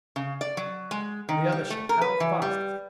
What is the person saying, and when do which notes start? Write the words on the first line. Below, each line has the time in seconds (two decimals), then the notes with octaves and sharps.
"And the other ship--how fast is it?"
0.16 C#3
0.41 D5
0.57 F#3
0.91 G#3
1.29 D#3
1.52 G3
1.70 A3
1.89 A#4
2.01 B4
2.20 E3
2.42 G3